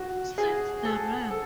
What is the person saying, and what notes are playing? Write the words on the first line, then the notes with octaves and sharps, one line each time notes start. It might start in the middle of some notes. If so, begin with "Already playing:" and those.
Since the Rev.
Already playing: F#4
G#4
A4
A4